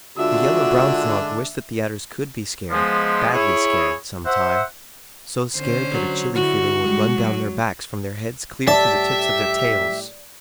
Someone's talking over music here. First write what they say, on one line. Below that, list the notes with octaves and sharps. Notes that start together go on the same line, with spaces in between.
The Yellow Brown Frog wished that the Adders could be scared, badly scared, some time: so scared that a chilly feeling would run down their backs from their heads clear to the tips of their tails.
D3 G#3 D4 F4 F#4 E5
F3 G#3 B3
E4 G#4 C#5
C5 E5 F#5
D3 C#4 C5
F#3
D3 E4 F#4
G3 G#3
F#3
A2 G3 G4 D5 E5 A5